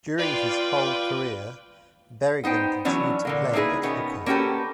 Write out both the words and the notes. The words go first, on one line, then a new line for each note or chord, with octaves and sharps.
During his Hull career Berrigan continued to play at hooker.
F4 B4 D5 F5 G5
B3 D#4 C5 G5
E3 F#3 B3 C#4 D4
A#2 D3 A#3
A#3 D#4 E4 G#4 B4
B2 D#3 B3 C#4
A#3 C#4 F#4 G4 A4 B4